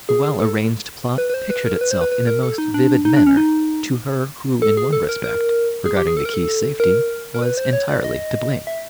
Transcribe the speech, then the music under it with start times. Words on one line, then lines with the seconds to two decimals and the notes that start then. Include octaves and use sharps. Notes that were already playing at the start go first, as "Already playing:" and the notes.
The well-arranged plot pictured itself in a most vivid manner to her who in one respect, regarding the key's safety, was entirely to blame.
0.09 G#4
0.24 G#4
0.40 A4
1.18 B4
1.30 B4
1.34 C5
1.50 B4
1.66 A#4
1.81 B4
1.91 C5
2.01 B4
2.12 B4
2.27 A#4
2.43 A4
2.58 D#4
2.74 D4
3.05 D#4
3.16 D4
3.27 C#4
3.37 D#4
4.62 A4
4.77 G#4
4.93 A4
5.09 A#4
5.24 A#4
5.86 G#4
5.97 G4
6.07 G#4
6.17 A4
6.25 A#4
6.34 A4
6.80 A#4
7.34 A#4
7.42 B4
7.57 C5
7.73 C#5
7.89 D5
8.04 D#5
8.67 E5